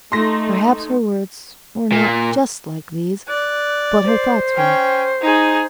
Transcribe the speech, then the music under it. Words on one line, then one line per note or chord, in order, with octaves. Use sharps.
Perhaps her words were not just like these, but her thoughts were.
A3 D#4 C6 A#6
A#2
D5 F#6
C5
C#4 G5
D#4 G#4